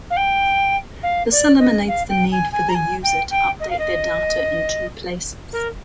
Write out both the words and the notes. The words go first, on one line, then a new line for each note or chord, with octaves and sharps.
This eliminates the need for the user to update their data in two places.
F5
G5
F5
D5
D#5
F5
G5
G#5
G#5
A#5
G#5
G5
G5
D#5
F5
D#5
A#4